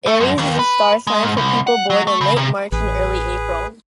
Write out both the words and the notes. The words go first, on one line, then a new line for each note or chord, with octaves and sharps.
Aries is a star sign for people born in late March and early April.
A3
F#2
D#2
B4
G#3
G#2
C2
F#5
F#3
A3
C#3
C3
A1 G#4 B4